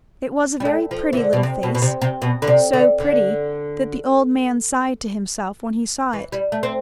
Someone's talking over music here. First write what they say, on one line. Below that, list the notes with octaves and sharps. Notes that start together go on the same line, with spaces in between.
It was a very pretty little face, so pretty that the old man sighed to himself when he saw it.
G3
A3
F3
E3
D3
B2
C3
B2
B2
C3
C3
B2
D3
C3
D3
D3
E3
G3
A3
C4